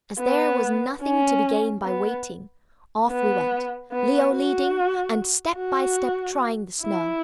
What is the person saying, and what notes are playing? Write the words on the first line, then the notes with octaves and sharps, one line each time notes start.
As there was nothing to be gained by waiting, off we went, Leo leading and step by step trying the snow.
B3
C#4
B3
B3
B3
F#4
F#4
E4